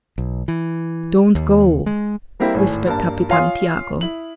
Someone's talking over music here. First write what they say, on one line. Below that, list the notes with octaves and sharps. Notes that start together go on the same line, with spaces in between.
"Don't go!" whispered Capitan Tiago.
B1
E3
D#2
G#3
G3 A#3 C4 E4 G4
G#1 A2 G#5
G2 A#3 A5
F4 C#5 F5 G#5 C6 D#6
E4 F#7